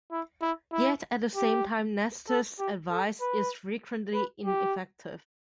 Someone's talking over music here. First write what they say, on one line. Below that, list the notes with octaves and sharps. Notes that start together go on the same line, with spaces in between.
Yet at the same time Nestor's advice is frequently ineffective.
E4
E4
E4
G4
A4
G4
A4
B4
B4
G4